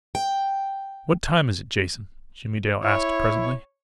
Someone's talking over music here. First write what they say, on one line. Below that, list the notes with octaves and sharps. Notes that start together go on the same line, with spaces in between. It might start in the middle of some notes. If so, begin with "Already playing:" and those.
"What time is it, Jason?" Jimmie Dale asked presently.
G5
E4 C#5